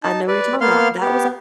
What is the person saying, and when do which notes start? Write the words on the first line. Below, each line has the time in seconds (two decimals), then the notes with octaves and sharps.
I know what you're talking about, that was
0.03 D#4 A5
0.28 B4 D5
0.61 A#3 B3 F5 C6 F6
1.01 B3 G4